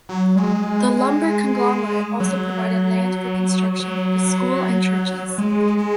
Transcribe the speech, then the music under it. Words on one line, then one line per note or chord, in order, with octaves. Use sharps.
The lumber conglomerate also provided land for construction of a school and churches.
F#3
G#3
F#3
F#3
G#3
G#3